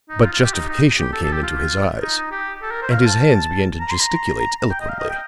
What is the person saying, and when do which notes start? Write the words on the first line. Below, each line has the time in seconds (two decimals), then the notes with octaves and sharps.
But justification came into his eyes, and his hands began to gesticulate eloquently.
0.10 D#4
0.23 F4
0.33 F4
0.44 G4
0.54 D#4
0.68 D#4
0.99 G4
1.13 A4
1.23 A4
1.32 G4
1.43 F4
2.02 D#4
2.17 D#4
2.32 G4
2.62 A4
2.71 A#4
2.82 C5
2.92 F5
3.06 A5
3.81 A#5
3.91 C6
4.01 A#5
4.40 A#5
4.71 G5
4.81 D#5
4.89 F5
5.00 D#5
5.10 G5